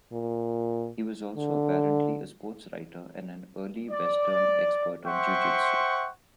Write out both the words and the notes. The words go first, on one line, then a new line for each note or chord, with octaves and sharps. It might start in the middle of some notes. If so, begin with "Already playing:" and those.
He was also apparently a sports writer and an early Western expert on Jiu-Jitsu.
A#2
D3
D5
C5 E5 F#5 G5 C6 C#6